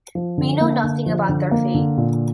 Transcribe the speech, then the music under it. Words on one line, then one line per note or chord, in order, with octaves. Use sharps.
We know nothing about their fate.
F3
D3
A#3
D3
F3
D3
A#3
D3
A#2